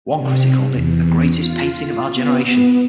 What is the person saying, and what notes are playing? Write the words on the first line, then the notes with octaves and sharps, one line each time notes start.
One critic called it "the greatest painting of our generation".
C3
E2
F4
B3